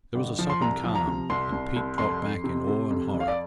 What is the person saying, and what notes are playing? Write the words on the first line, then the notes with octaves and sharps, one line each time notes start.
There was a sudden calm, and Pete dropped back in awe and horror.
G1
F3
C6
C2 A#5
F3
A#5
C3
C2 C6
C2
C2
F2 C6
F2
C3
C3
F2
F2
F5
D5